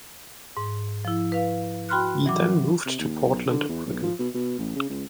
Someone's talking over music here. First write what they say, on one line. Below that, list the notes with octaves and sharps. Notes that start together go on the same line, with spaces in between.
He then moved to Portland, Oregon.
G#2
F3 E4
B4 F5
F#4 G5 B5 C6 F6 F#6
E3 F#3 D6
C3
D#2
B1
D3
E2
B1
F3
B2
B2
A1
C#3
C#2